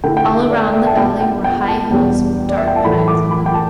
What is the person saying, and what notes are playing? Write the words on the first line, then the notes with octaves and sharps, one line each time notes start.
All around the valley were high hills with dark pines on them.
D3 A3 E4 G5
G5
E5
D5
E5
A5
B2 B3 D4 G5
G5
G5
G5
A5
E2 B2 G3 D4 G5
D5
E5
G5
A5
A2 E3 A3 B5
D6
B5
G5
A5